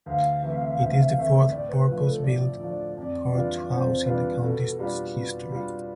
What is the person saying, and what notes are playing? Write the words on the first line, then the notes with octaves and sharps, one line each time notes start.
It is the fourth purpose-built court house in the county's history.
D2 F5
C3 E3 A3 E5
F5
E5
F5
D2 E5
F5
E5
F5
C3 E3 A3 E5
A2 D5
B4
F3 A3 D4 B4
A4
A2 D5
F3 A3 D4
F2 D5
E3 G3 D4 F4
F2 C5
E3 G3 D4 F4 B4
B2 A4
G3 D4 F4 G4
B2
G3 D4 F4